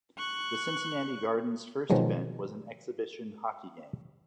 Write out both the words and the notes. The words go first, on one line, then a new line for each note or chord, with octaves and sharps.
The Cincinnati Gardens' first event was an exhibition hockey game.
C#6 F#6
B2 D#3 F3 F#3 G#3